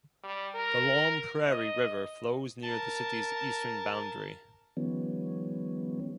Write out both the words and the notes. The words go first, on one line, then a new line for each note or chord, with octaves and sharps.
The Long Prairie River flows near the city's eastern boundary.
G3
A#4
D#5
A#4 A5
D#3 F3 G3 B3 C#4